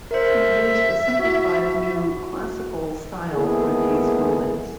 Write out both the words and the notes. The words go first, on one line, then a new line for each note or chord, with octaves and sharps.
He used a simplified new-classical style for these buildings.
A#4 C5 E5
E4 F#4
G#3 A#3 B3 E4 G#4 A4